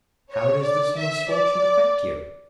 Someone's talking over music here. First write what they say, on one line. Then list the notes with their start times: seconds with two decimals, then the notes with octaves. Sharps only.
How does this misfortune affect you?
0.31 C#5
0.64 D5
0.97 E5
1.29 D5